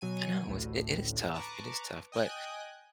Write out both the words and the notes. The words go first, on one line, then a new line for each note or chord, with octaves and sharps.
I know, it's it is tough. It is tough, but
B2 F#3 G#5 D#7
A1 D2 A2
B4 A5 A#5 C#6 D6
D#5 G5 G#5 D#6 F#6